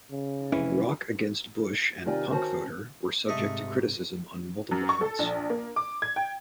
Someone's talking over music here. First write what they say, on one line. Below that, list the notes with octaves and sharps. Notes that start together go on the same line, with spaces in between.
Rock Against Bush and Punkvoter were subject to criticism on multiple fronts.
C#3
F1 E3 C#4
C3 D#3 F4 G4 D5 G#5
D#3 C#4 F#4 C5 A5
G#2 C3 A3 D#5
F#2
C#6
A4
A#1
A#3
D6
G#6
G5